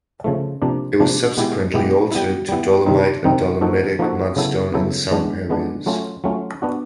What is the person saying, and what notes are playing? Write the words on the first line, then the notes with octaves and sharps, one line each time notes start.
It was subsequently altered to dolomite and dolomitic mudstone in some areas.
C#3 F3 A3
C3 F3 A#3 D4
C3 F3 A#3 D4
B2 G#3 B3 E4 G4
B2 G#3 B3 E4 G4
G3 B3 E4
G3 B3 E4
C3 D#3 G3 C4 D#4
C3 D#3 G3 C4 D#4
F3 A#3 D#4 F#4 A4
F3 A#3 D#4 F#4 A4
C#3 F#3 B3 E4 A4
C#3 F#3 B3 E4 A4
E3 G#3 B3 D4
E3 G#3 B3 D4
F#3 A3 C#4 F4
F#3 A3 C#4 F4
B3 D4 F#4